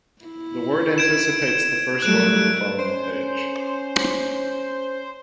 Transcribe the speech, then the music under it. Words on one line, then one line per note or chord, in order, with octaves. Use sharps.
The word anticipates the first word of the following page.
E4
G#6 D7 E7
F#3 G3 A3 F#6 D7
C#4 C5